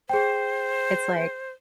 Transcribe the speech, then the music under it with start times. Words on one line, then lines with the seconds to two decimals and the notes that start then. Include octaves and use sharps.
It's like
0.09 G#4 C5 G5